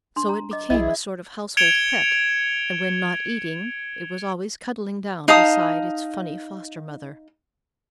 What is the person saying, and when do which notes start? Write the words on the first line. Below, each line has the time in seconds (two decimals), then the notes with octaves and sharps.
So it became a sort of household pet, and when not eating, it was always cuddling down beside its funny foster-mother.
0.16 D4 C6
0.29 A#5
0.51 D#5 D6
0.70 B1 E4 G#4 D#5
1.57 G#6 C#7 D7 E7 F7 G7
5.28 D#4 F5 A5 D#6